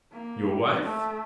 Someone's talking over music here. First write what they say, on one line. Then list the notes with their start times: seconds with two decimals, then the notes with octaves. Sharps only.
"Your wife?"
0.13 A#3
0.84 A3